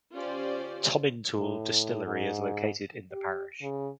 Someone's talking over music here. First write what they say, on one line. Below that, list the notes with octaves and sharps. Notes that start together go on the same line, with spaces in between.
Tomintoul Distillery is located in the parish.
C#4 F4 G4 C5 D5
A2
G#2
G4
C#3